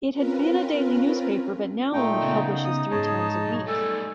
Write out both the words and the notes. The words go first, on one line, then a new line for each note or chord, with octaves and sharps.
It had been a daily newspaper but now only publishes three times a week.
C4 C#4 F4 A#4 B4
A#2 A3 D#4 G5
C#3 B3
D#6
D2 G#2 G#4 C#5 D#5 A5
B1
G3 A3 A4 G#5